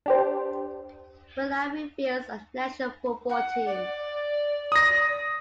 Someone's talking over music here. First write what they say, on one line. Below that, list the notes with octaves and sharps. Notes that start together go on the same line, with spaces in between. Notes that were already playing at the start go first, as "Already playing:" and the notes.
Malawi fields a national football team.
D4 G4 C5
F#5
D5
D#6 A#6